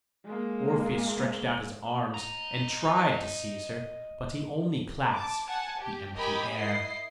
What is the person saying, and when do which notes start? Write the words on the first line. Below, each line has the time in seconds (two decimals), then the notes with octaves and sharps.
Orpheus stretched out his arms and tried to seize her, but he only clasped the empty air.
0.25 G#3 A#3
2.14 D#5 A#5
5.13 A5 D6
5.45 F#5 G#5 A5
5.80 G4
6.15 G4 A#4 D#5 G#5 B5
6.54 E4 D#5 C7